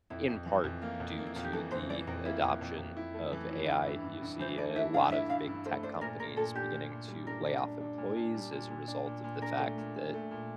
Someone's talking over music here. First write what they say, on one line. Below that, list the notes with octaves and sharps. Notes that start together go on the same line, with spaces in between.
in part, due to the adoption of AI, you see a lot of big tech companies beginning to layoff employees as a result of the fact that
F2 E4
F2
E3
F2
A#3 F4
F2
A#3
E4
F2 F4
G4
E3 A4
F2 C5
E3 D5
F2 A#4
A#3 E4
F2
F2
F2
E4
A3
E3
E4
E4
G2
G2
G2
E3 C5
A3 D5
E4 E5
G2 F5
E4 E5
G2 F5
G2
A3 C5
D4 C5
A#2 A#4
A#2 A#4
A#2 A4
D4 G4
A#2
A#2
G3
D4 A#4
D4
D4
D4
A#2
D4
G3
A#2
A#2
D4
A#2
A#2
D4 A#4
A3
A#2
A#2
A3
A#2